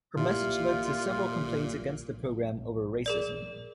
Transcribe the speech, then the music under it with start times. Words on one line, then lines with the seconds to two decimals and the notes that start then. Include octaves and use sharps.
Her message led to several complaints against the programme over racism.
0.17 A#2 E4 F4 G4 E5
3.06 G#4 A#4 D5